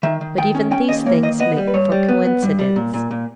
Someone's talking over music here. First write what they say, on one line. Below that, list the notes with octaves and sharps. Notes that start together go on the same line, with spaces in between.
But even these things make for coincidence.
D#3 E5
D#3
D#3 G5
C#4
C#4 G5
D#2 D#5
A#3 C#5
D#3 D#5
B3 D#5
G3
B4
G2 C#5
G3
B3
B3
G2
G3
A#2
A#2
A#2